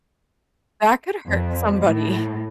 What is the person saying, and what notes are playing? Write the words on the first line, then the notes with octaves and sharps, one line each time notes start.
That could hurt somebody.
F2
A2